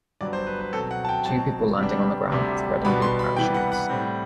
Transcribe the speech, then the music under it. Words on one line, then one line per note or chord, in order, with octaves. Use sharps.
Two people landing on the ground with red and blue parachutes.
G2 F#3 B3 D5
C5
B4
B4
B2 F#3 C4 A4
F#5
A5
G5
B2 F#3 C4 A5
C3 G3 B3 D4
D2 C3 G3 D4
B2 G3 B3 D4 B5
C6
B5
C3 E3 G3 B3 G5
F#5
F#5
A2 G3 C4